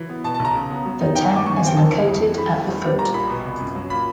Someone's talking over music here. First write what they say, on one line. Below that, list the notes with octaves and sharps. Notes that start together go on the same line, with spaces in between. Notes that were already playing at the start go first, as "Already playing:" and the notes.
The town is located at the foot.
Already playing: E3 F#3
B3
B2 A5
A5
B1
A#5
C#3
B3
F#3
D#4
D#3 G5
G#5
G2
D6
D#3 C#6
G#5
C4
G5
D2 A5
E3
F2
E3
D3 B5
A3
E2
G3
A#2 A#5
A#1 B5
B2
C2
F#2
F#3
A#2 B5